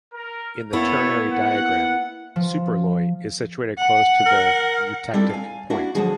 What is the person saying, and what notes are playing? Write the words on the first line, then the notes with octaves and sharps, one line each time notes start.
In the ternary diagram, Superloy is situated close to the eutectic point.
A#4
A#3 B3 E4 A4 B4 C#5
F#5
F3
F#5
A#4
G3 C4 D4 E4 F4 A4
F5 G#5
A#3 D4 E4 F#4
D3 F3 F#3 D4 F#4 G#4